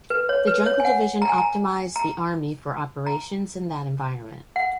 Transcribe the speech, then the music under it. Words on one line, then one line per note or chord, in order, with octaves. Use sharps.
The jungle division optimised the Army for operations in that environment.
B4
C#5
B4
C#5
G#5
F#5
A#5
G#5
A#5
A#5
A#5
F#5